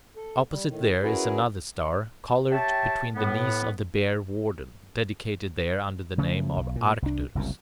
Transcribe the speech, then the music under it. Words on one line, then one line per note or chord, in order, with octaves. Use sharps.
Opposite there is another star, coloured, between the knees of the Bear Warden, dedicated there under the name of Arcturus.
A4
G3
A2 D#3
C#4 E4 F#4 G#4 A#4 B4
G4 C#5 E5 G5 A5
A2 B3
C#3 F3 A3
B1
A#2
C2 D4
F#1 C2 F#2